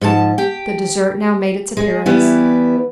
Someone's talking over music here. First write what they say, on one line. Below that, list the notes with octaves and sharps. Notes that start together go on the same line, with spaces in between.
The dessert now made its appearance.
G#2 F3 A#4 A5
G4 G5
G#3 G#4
E3 G3 B3 E4